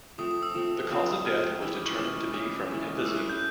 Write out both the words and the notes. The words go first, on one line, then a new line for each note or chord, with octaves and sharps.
The cause of death was determined to be from emphysema.
F3 A3 C4 D#6
D#6
E6
F3 A3 C4
F3 A3 C4 E6
F3 A3 C4 F6
E3 G#3 C#4 E4 E6
D6
C#6
E3 G#3 C#4 E4 D6
E3 G#3 C#4 E4 D#6
E3 G#3 C#4 E4
A3 C#4 E4 E6
F#6
G6